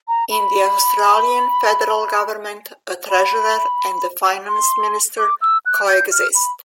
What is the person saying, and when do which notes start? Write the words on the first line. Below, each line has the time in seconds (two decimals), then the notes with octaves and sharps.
In the Australian federal government a treasurer and a finance minister co-exist.
0.08 A#5
0.31 B5
3.10 B5
4.48 C6
5.18 D6
5.42 E6
5.66 F#6
5.88 G6
6.12 F6
6.35 B5